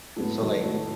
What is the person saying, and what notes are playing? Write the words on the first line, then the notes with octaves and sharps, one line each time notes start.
so like
A2 F#3 G#3 A3 B3
D#3 F#3
F#3 A3